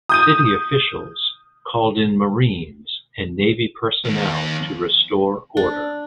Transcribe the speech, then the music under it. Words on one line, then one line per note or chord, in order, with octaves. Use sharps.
City officials called in Marines and Navy personnel to restore order.
D#6 G6 D#7
D#2
D4